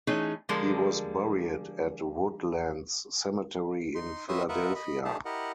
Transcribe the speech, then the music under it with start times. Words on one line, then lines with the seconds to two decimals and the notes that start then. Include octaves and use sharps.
He was buried at Woodlands Cemetery in Philadelphia.
0.07 E3 A3 C#4 D#4 G#4
0.49 D3 F3 G3 G#3 A4 A#4
3.95 D#4 C6
4.28 C#4 F#4 B4 E5 C6 D#6
4.49 F4 A#4 B4 D#5 E5 F#5
4.75 D#5 B5
5.05 A3 D4 D#4 G4 G#4 A5
5.25 E4 G4 A#4 D#5 F#5